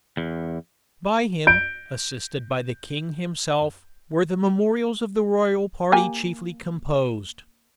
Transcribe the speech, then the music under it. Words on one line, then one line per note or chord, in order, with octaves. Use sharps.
By him, assisted by the king himself, were the memorials of the royal party chiefly composed.
E2
G6 D7
A#3 G4 G#5